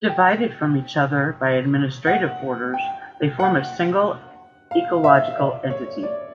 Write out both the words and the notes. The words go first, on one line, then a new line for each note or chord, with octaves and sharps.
Divided from each other by administrative borders, they form a single ecological entity.
G5
F#5
G5
F#5
F5
E5
D5
C#5
D5